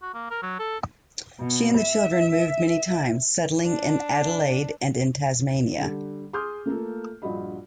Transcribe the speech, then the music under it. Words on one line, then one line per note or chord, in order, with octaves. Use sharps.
She and the children moved many times, settling in Adelaide and in Tasmania.
F#4
A#3
A#4
F#3
A4
B2
E5
D4
D3 G3
G#4 C6 D6 D#6 F6 G6
A3 A#3 F4 A4
A#1 G2 F4 F#4 D#5 B5